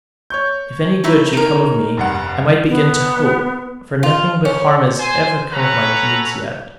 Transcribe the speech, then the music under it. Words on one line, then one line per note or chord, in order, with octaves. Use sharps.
If any good should come of me, I might begin to hope; for nothing but harm has ever come of my deeds yet.
C#5 C#6 G6
D#4 E4 E5
D#4 A#4
F1 G2 F#5
B3
F4
C#4
C5 G#5
C#4 A4 B4 C#5 F#5 A#5